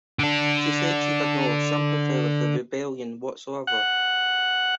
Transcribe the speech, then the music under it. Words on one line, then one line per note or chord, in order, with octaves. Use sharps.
She said she had no sympathy with the rebellion whatsoever.
D3 D4
F#5